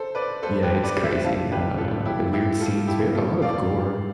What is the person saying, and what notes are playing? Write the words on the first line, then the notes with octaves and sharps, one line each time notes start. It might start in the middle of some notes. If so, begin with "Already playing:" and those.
Yeah, it's crazy, uh, e weird scenes, ver a lot of gore.
Already playing: A4 C5
B4 D5
A4 C5
G4 B4
B4 D5
C5 E5
F5 A5
G4 B4
F4 A4
E4 G4
E4 G4
F4 A4
E4 G4
F4 A4
D5 F5